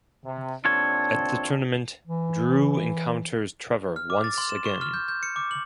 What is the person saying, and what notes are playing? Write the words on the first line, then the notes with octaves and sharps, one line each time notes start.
At the tournament, Drew encounters Trevor once again.
C3
D#2 C4 D4 F4 A4 C#5
E3
F6
D6
A6
C6
E7
C#6
F6
G6
G6
C#7
D6
F#7